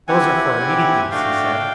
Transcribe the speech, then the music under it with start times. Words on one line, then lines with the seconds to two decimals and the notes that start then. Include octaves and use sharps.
"Those are for immediate use," he said.
0.08 C4 E4 G4 F#5 G#5
0.59 C4 E4 G4
1.11 A3 D4 F#4 F5 G5